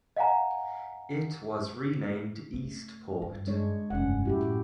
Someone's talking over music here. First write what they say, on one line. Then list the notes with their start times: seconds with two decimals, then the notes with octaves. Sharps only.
It was renamed Eastport.
0.16 D#5 F5 F#5 G#5 A#5
2.53 A3
3.22 G2
3.47 G#3 D4 C#5
3.90 F1 G2 C#4 F#5
4.25 F#2 A2 E4 F#4 G4